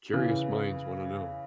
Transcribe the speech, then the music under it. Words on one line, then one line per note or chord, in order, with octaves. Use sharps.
curious minds want to know.
C#3 E3